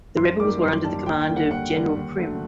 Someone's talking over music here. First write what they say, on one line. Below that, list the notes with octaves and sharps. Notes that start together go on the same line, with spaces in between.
The rebels were under the command of General Primm.
F#2 C6
D#3 G3 A#3 D6
F#2 C6
D#3 G3 A#3 A5
D#2 G5
G5
D3 G3 A#3
F#5
D#2 F#5
D3 G3 A#3
D#2
D3 F#3 A3